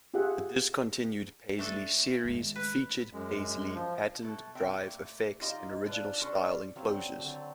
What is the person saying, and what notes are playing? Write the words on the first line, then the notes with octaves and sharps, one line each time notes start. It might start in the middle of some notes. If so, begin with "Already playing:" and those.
The discontinued Paisley series featured paisley-patterned drive effects in original style enclosures.
F4 G4 G#4 E5 F#5
A3 D4 A4
D#3 G#3
B4
F#2 G#3
F3
B2 E4 A4
C3 C4 A4 E5 G5
A#2 A3
D#3 D#4 F4 G4 D#5 F5
G3 C4 D4 F4 B4 A5
C#4 D4 F4 F#4 A4
C#3 F#3 G3 C4
D3 F#3 C4